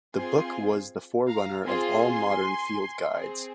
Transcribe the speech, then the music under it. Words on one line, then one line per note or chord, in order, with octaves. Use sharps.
The book was the forerunner of all modern field guides.
C4 F4 G#4 G#5 C6
F5 A#5
C4 F4 G#4 G#5 C6
C4 G#4